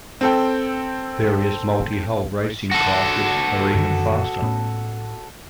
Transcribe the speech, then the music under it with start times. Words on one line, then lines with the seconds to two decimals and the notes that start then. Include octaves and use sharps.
Various multi-hull racing classes are even faster.
0.21 C4 A4 G5
2.71 F#4 A4
3.74 F#2 D3 D#3
4.42 A2 B3 C#4